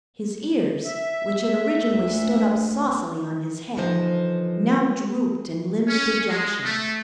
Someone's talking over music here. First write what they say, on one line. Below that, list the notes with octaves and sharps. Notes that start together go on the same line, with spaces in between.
His ears, which had originally stood up saucily on his head, now drooped in limp dejection.
E5
D2
D3 E3 F3 D#4 C5
C#4
G#3
A3